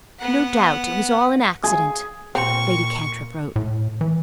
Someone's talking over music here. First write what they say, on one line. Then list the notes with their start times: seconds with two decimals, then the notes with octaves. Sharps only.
"No doubt it was all an accident," Lady Cantrip wrote.
0.19 B3 F#5
1.64 G#4
2.35 A#2 C4 C#6
3.56 A2
4.01 E3